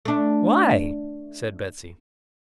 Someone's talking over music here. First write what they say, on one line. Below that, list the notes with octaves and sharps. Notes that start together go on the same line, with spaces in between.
"Why?" said Betsy.
A3 D4